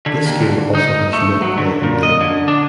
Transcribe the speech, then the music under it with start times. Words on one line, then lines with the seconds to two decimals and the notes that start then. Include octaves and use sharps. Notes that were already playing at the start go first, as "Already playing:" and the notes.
This game also has Net Play available.
0.06 D3
0.26 D#2
0.42 D3
0.75 D#4
1.13 A3
1.42 F#3
1.58 D3
1.83 A#2
2.03 D#5
2.21 D3
2.48 D4